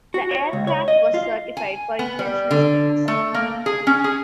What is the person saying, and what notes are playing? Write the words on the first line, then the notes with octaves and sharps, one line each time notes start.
The aircraft was certified for intentional spins.
F#4
C#5
C#2
C#5
D#5
F4
G#5
B3
G3
D3
A3
A#3
G#4
C#4
G#4